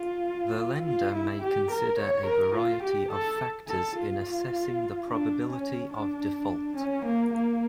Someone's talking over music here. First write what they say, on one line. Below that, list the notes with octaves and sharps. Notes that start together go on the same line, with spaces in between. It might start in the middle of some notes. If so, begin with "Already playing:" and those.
The lender may consider a variety of factors in assessing the probability of default.
Already playing: F4
F4
E4
G4
A#4
C#5
A#4
F4
G4
A4
A4
F4
D4
C#4
D4
C#4
A#3
A#3